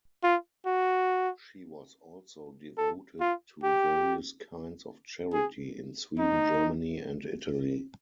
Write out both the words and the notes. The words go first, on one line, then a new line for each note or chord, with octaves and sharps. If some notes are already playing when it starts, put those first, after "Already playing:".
She was also devoted to various kinds of charity, in Sweden, Germany and Italy.
F4
F#4
A4
F4
G4
G#4
D#4